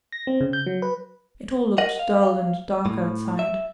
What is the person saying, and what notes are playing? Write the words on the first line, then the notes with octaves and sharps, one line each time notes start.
It all looked dull and dark outside.
A#6
C4
C#3
G6
F#3
B4
A#4 D#5 F#5
F5
A2
E5